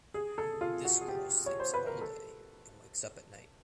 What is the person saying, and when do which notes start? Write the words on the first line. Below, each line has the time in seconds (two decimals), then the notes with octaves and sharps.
This girl sleeps all day and wakes up at night.
0.14 G#4
0.38 A4
0.61 F4
0.84 F#4
1.01 G#4
1.08 G4
1.46 C#5
1.60 C5
1.74 B4
1.87 A#4
2.01 A4